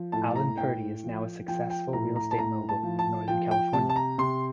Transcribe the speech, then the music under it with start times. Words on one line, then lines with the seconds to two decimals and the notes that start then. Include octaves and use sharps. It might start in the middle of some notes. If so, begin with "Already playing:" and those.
Alan Purdy is now a successful real estate mogul in northern California.
Already playing: F3
0.12 A2 A5
0.36 A#5
0.57 A2 G5
1.04 F3
1.48 F3 G5
1.70 G5
1.93 A2 A#5
2.16 A#5
2.31 A5
2.38 A2 A#5
2.69 A5
2.83 F3
2.99 A5
3.28 F3 G5
3.51 G5
3.73 C3 A5
3.89 A5
3.96 A#5
4.18 C3 C6